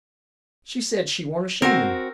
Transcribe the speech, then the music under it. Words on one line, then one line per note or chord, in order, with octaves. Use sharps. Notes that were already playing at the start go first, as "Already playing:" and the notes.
She said she warn't ashamed of me.
C4 F#4 A#4